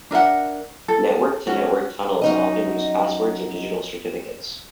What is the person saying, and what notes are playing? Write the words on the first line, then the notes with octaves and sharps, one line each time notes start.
Network-to-network tunnels often use passwords or digital certificates.
D4 A#4 E5 F#5
A4
C#4 F#4
F#2 D#4 D#5